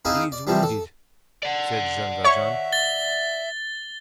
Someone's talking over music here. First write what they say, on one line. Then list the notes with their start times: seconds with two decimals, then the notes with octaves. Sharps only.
"He is wounded," said Jean Valjean.
0.05 C4 D#4 E4 G#4 F5
0.32 D5
0.47 C3 E3 F3 G3
0.63 A4
1.43 D5 F#5
2.24 C#5 E5 C#6
2.72 A6 G7